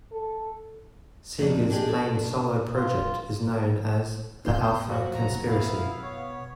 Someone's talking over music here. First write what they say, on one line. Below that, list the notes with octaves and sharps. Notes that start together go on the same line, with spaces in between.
Sega's main solo project is known as The Alpha Conspiracy.
A4
F2 F#3 A#3 B3 D4 D#4
D4 E4 G4 G#4 D#5
A4
D4
F4
B3 C6 G6
F#2 A2 F3 F#3 F#4
E2 B2 A#5
D#1 B2 A#3 B3 E4 F5
B2
C#5